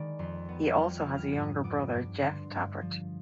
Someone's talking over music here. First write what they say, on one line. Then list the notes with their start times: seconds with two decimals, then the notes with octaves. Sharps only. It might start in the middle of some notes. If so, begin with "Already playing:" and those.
He also has a younger brother, Jeff Tapert.
Already playing: D#3 G#3 D5 G#5 B5
0.19 F2 C6
0.49 B3
0.77 G3 F6
0.97 F6
1.06 B3
1.16 F6
1.35 G#2 D#6
1.64 B3 D6
1.93 G2 D6
2.22 D3 C6
2.52 G2
2.81 F3